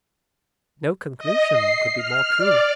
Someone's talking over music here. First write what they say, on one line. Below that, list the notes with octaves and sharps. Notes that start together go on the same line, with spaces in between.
No conclusion could be more true.'
D#5
C7
F6
D5